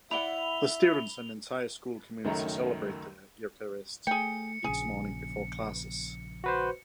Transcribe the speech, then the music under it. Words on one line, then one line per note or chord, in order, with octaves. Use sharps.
The students and entire school community celebrate the Eucharist each morning before classes.
E4 D5 E5 F#5 B5 F7 G7
C#2 F#2 D#3 F#3 A3 A#5
A3 G#4 G5 C#7
A#1 C#3 G#4
F#4 B4 C5